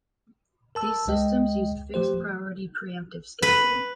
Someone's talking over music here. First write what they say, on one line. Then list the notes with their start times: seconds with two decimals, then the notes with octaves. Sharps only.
These systems used Fixed priority pre-emptive scheduling.
0.75 A#4 A5 E6
1.07 C#2 G#3 D#5 G5
1.94 F3 A3 G4 C5
3.42 B4